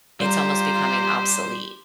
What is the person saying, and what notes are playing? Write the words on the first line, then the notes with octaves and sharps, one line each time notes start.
it's almost becoming obsolete.
G3 F4 G4 C5 A#5